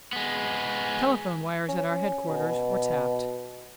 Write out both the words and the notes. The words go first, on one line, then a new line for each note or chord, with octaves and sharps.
Telephone wires at our headquarters were tapped.
G#3 B3
C#4
B2